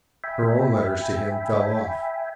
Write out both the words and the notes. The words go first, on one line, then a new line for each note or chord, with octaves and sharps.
Her own letters to him fell off.
E5 G5 G#5 B5